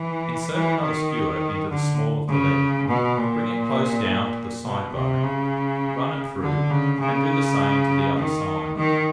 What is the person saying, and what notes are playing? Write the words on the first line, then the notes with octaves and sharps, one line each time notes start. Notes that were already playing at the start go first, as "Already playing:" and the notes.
Insert another skewer into the small of the leg, bring it close down to the side bone, run it through, and do the same to the other side.
Already playing: E3
E3
D#3
D3
C#3
B2
A#2
B2
C3
C#3
D3
C#3
C#3
D#3
D#3